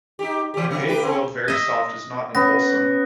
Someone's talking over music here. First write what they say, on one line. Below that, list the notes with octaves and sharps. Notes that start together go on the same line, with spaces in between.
An egg boiled very soft is not unwholesome.
D#4 G4
E3 G4
C#3 F#3
A3 G4 B4
B3 C4
D#5 E5
B3 C#4 A#6